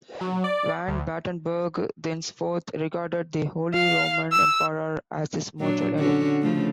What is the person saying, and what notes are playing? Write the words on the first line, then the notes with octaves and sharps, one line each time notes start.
Van Batenburg thenceforth regarded the Holy Roman Emperor as his mortal enemy.
F#3
D5
D2
F5
E6
A#2 F#3 D4
D3 C#4 F#4
C#3 F3 A3